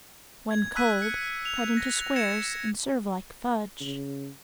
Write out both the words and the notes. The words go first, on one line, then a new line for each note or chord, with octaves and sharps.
When cold, cut into squares and serve like fudge.
G#6
E6 F#6 B6 D#7
C#7
F7
A#6
G#6 A#6 C#7 E7 F7
C#3